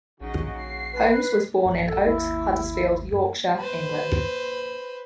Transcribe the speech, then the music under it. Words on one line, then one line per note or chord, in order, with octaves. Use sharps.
Holmes was born in Oakes, Huddersfield, Yorkshire, England.
A#1 C#3 D#4 F#4 D#5
C7
B4
A1 F#2
A4
G#1 D#2 A#3 E4
F#2
B4 C5